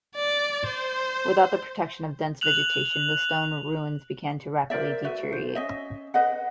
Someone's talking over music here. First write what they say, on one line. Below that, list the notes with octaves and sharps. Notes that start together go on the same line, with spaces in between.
Without the protection of dense vegetation, the stone ruins began to rapidly deteriorate.
D5
C5
F#6 F7 F#7
A#4 C5 D5 E5
F#4 B4 E5
C5
C#4 D#5 E5
B4 D#5 F#5